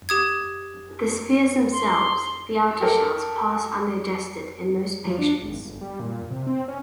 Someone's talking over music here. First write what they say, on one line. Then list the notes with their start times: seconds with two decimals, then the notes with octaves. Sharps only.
The spheres themselves, the outer shells, pass undigested in most patients.
0.09 G4 D#6 G#6
1.72 C6
2.81 G4 A4 A#4
5.05 F3
5.19 D4
5.42 G#1
5.65 G1
5.81 G3
6.00 A#2
6.30 C3
6.47 C4
6.68 C#4